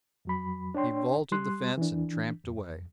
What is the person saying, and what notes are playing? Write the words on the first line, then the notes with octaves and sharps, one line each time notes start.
He vaulted the fence and tramped away.
F2 F#3 B5
D4 C#5 G5 C6
G3 C6 F#6
E3 D4
F2